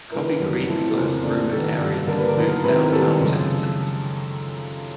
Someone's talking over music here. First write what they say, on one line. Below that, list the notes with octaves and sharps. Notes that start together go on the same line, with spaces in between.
Coffee Creek flows through an area that includes downtown Chesterton.
D#3 G#3 B3 E4 A#4
B4
F#2 D3 G3 B3
A2 F3 A3 C4 E4
A4
F2 C#3 F3 G#3 C4 A#4
C3 E3 A3 D4
D#3 F#3 B3 A4
G2 D3 G3
D3 G3 A#3 D4 A#4
B4
A#4
D3 F#3 B3 D#4 B4
A#4
C3 D#3 G#3 C4 E4 B4
A#4
C3 D#3 G3 B3 A4
F#2 C#3 F3 G#3